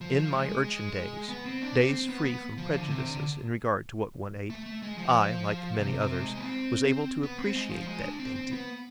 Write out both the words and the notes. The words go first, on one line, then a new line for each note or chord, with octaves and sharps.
In my urchin-days, days free from prejudices in regard to what one ate, I, like many others, was able to appreciate that dainty.
F3
F3
G#3
G#3
G#3
B3
C4
D4
C4
C4
B3
B3
F3
D3
C3
D3
A3
A3
G#3
F3
C3
C3
G#3
B3
C4
B3
C4
G#3
F3
G#3
D4
C4
C4
B3